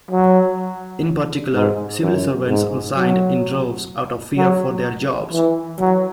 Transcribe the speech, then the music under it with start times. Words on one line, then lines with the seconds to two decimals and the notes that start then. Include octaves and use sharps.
In particular, civil servants resigned in droves out of fear for their jobs.
0.11 F#3
1.54 G#2
2.01 F#2
2.48 G#2
2.95 F#3
4.37 F#3
5.32 E3
5.79 F#3